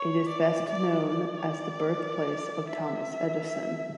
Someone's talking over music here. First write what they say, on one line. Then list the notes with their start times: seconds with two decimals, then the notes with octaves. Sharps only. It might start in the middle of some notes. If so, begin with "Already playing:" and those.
It is best known as the birthplace of Thomas Edison.
Already playing: C#5
0.29 D5
0.68 D5
1.09 D5
2.68 E5